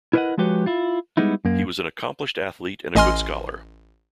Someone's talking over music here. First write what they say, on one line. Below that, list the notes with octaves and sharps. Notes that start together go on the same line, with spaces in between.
He was an accomplished athlete and a good scholar.
E4 A#4 B4 C#5 D#5 F#5
F3 G#3 F#4 G4 B4 C#5
E4 F4
G3 G#3 B3 D#4 E4
F#2 A#3
A1 D#5 G#5 C6 F6